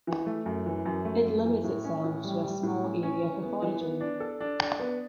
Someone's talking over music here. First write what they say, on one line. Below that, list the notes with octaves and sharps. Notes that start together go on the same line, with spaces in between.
It limits itself to a small area for foraging.
E3
A3
F#2
E3
F#2
A3
F#2
E3
A2
C#4
A2
G3
G3
A2
C#4
C#4
E3
B3
E3
B3
D4
A4
D4
D4
B3